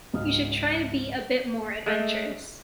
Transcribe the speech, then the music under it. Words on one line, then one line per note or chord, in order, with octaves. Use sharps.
You should try to be a bit more adventurous.
C#2 G#2 F#4 D#5 D#6 F6
G#3 A3